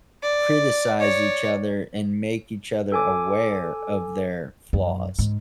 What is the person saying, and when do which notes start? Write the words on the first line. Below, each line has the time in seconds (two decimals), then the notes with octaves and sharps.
criticize each other and make each other aware of their flaws.
0.22 D5
1.00 C#5 D5
2.92 A4 G#5 D6
4.73 F#2
5.19 G#2